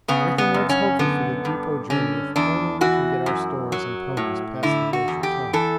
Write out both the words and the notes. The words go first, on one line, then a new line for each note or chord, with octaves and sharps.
Everything looks hopeful for the depot journey if only we can get our stores and ponies past the Glacier Tongue.
C#3 B3
B3
F#2
C#4
D3 B3
G2
D3 C#4
E2 D4
E3 F#4
F#2
F#3
A2
D3 E4
F#4
E2
G4
E3 A4